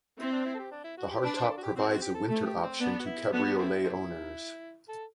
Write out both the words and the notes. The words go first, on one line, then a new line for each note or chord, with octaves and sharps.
The hardtop provides a winter option to cabriolet owners.
C4 E4
D4
E4
A4
G4
D4
E4
F#4
G4
D4 B4
C5
B4
A4
F#4
G4
C4 F#4
F#4
G4
A4
A3 A4
G4
C4
B3 D4
F#4
E4
A3 B3 D4 F#4
D4
A3 C4 E4
A3 C4 E4
A4